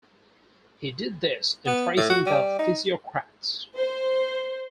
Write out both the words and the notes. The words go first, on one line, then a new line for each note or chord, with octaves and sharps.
He did this in praising the Physiocrats.
B3
A2
F#4
G3
D#4
C5